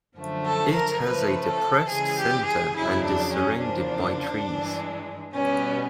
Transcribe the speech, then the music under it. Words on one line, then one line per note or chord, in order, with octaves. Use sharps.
It has a depressed centre and is surrounded by trees.
F#2 D3 F3 A3
A4
A#4
C#3 F3 A3 B4
A4
C#3 E3 G#3 G#4
G4
G#4
F2 C#3 F#3 E4
D4
C#4
E2 C#3 F3 A#3 D4
G2 E3 G#3
B2 G3 B3 C#4